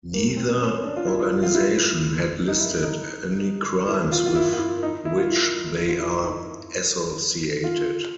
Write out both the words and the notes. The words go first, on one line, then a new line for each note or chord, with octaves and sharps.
Neither organization had listed any crimes with which they are associated.
A#3
C4
C#4
D4
F4
E4
F4
F4
E4
D#4
E4
D#4
E4
F4
F4
E4
F4
E4
D#4
E4
F4
E4
E4
F4
E4
E4
D#4
F4